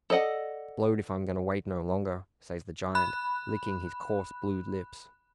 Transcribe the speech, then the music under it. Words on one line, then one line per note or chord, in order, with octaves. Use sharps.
"Blowed if I'm going to wait no longer," says the giant, licking his coarse blue lips.
A4 D5 D#5 F#5
B5 F#6